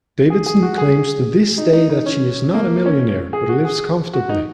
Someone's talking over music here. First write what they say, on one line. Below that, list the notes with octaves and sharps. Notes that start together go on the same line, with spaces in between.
Davidson claims to this day that she is not a millionaire but lives comfortably.
G#4
G#4
F#4
G#4
D#4
D#4
D#4
C#4
A#3
C#4
G#4
F#4
G#4
F#4
D#4